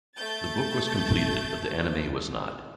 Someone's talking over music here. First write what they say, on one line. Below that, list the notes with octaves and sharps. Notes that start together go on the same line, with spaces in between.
The book was completed but the anime was not.
A3 G6 A6